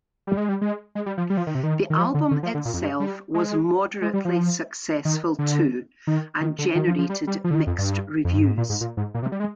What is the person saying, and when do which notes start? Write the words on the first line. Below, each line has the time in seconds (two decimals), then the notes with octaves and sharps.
The album itself was moderately successful too and generated mixed reviews.
0.27 G3
0.37 G#3
0.49 G3
0.61 G#3
0.95 G#3
1.06 G3
1.18 F3
1.30 G3
1.37 F3
1.47 D#3
1.55 C3
1.63 D#3
1.90 D#3
1.98 F3
2.14 D3
2.31 D3
2.43 F3
2.55 D3
2.65 A#2
2.74 F2
2.82 G2
3.00 G3
3.34 G#3
4.02 G#3
4.14 G3
4.25 F3
5.05 D#3
5.39 D3
6.07 D#3
6.41 D#3
6.59 D3
6.75 D#3
6.87 F3
6.98 F3
7.09 G3
7.27 G3
7.44 F3
7.51 D3
7.55 D#3
7.67 F2
7.78 G2
8.25 F2
8.35 G2
8.46 G#2
8.58 A#2
8.70 G#2
8.81 A#2
8.97 G#2
9.14 A#2
9.23 C3
9.32 G3
9.40 G#3